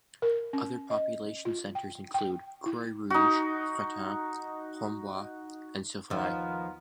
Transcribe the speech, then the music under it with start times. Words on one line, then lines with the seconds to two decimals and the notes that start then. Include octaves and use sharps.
Other population centers include: Croix Rouge, Fratin, Huombois, and Sivry.
0.22 A#4
0.53 C#4
0.90 D#5
1.45 F4
1.75 G5
2.14 G5
2.66 E4
3.10 D#4 F#4
6.10 D#2 F3 B3 F4 A#4